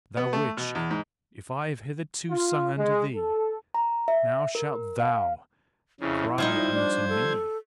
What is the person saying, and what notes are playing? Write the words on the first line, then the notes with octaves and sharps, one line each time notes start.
Thou witch, if I have hitherto sung unto thee, now shalt THOU--cry unto me!
B3
A3
B2
E2
G#2
F4
G#3
A4
A#5
E5
A#4
F5
F2 C#3 E4
F3 G3 D#4 C5 G#6
D4
A4